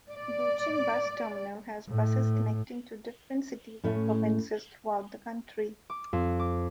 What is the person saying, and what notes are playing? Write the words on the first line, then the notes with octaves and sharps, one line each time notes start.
Bucheon Bus Terminal has buses connecting to different cities and provinces throughout the country.
D5
A2
A2 A3 C#4
D6
F2
D6